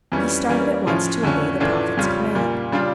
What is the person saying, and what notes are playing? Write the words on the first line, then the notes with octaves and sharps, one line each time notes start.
He started at once to obey the prophet's command.
F2 E3 G3 C#4
E3 G3 A#3 C#4
A2 F3 C#4 F4
F2 D3 A3 C#4
A2 E3 A3 D4 F4
F2 C#3 G3 C#4 F4
A#2 G3 A#3
C#3 G3 D4 F4